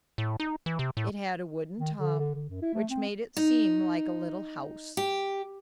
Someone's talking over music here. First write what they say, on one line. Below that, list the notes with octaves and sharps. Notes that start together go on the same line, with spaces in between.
It had a wooden top, which made it seem like a little house.
A2
D#4
E3
C3
A2
D#3
D3
D3
D3
F#2
E4
A3
C4
D#4
G4